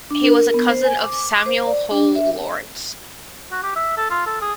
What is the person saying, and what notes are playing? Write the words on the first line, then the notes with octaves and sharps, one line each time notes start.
He was the cousin of Samuel Hill Lawrence.
D4
A#4
B3
C5
G#5
D6
C5
D5
D4
E5
F#4
G4
E5
A4
F4
A4
G#4